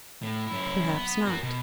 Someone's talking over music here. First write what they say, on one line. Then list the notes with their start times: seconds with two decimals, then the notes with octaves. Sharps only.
"Perhaps not."
0.23 A2
0.47 F#2 E4
0.93 B3
1.25 F#4 A#4
1.43 B2